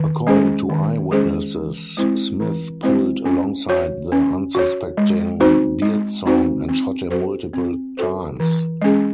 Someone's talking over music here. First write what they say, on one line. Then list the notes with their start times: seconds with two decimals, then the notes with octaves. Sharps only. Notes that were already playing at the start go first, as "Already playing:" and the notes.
According to eyewitnesses, Smith pulled alongside the unsuspecting Byrdsong and shot him multiple times.
Already playing: D#3
0.27 G#3 C#4 G#4 C5
0.70 D#3
1.11 G#3 C#4 G#4 C5
1.55 E3
1.97 G#3 C4 E4 C5
2.40 E3
2.83 G#3 C4 E4 C5
3.25 C#4
3.69 F#4 C#5
4.12 C#4
4.55 F#4 C#5
4.97 G#3
5.40 C4 D#4 F#4 C5
5.82 G#3
6.26 C4 D#4 F#4 C5
6.69 C4
7.10 F#4 A4 C5
7.53 C4
7.97 F#4 A4 C5
8.40 E3
8.82 G#3 C#4 G#4